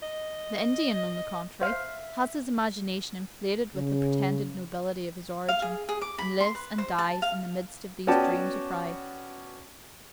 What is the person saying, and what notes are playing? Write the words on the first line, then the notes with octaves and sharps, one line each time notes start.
The Indian, on the contrary, has his imagination inflated with the pretended nobility of his origin, and lives and dies in the midst of these dreams of pride.
D#5
C5 E5 F5
C#3
F5
G#4
G#4
D6
B5
C6
B4
C5
A5
F5
B3 C#4 F#4 D5 G5 A5